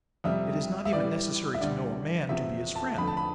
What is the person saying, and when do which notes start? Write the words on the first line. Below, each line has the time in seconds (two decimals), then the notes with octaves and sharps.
It is not even necessary to know a man to be his friend.
0.24 F2 C3 G3 E5
0.85 E5
0.93 A2 E3 G3 D5
1.54 E5
1.61 D2 D3 G3 D5
2.29 E2 C3 F3 E5
2.75 A5
2.98 F2 D3 A3 B5
3.07 A5
3.17 B5